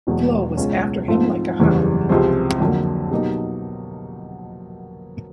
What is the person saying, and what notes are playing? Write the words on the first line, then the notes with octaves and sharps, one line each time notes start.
Flo was after him like a hound.
E1 E2 B2 F#3
C#2 B2 G#3 C#4 F4
G#2 F3 A3 C4 F4
F#1 E2 C#3 E3 G3
C#2 C3 F3 G#3 C4
F2 D3 F#3 A#3
B2 F#3 A#3 D#4 G4